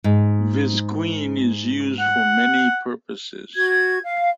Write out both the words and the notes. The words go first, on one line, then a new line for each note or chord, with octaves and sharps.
Visqueen is used for many purposes.
G#2
F#5
F#4 G#6
F5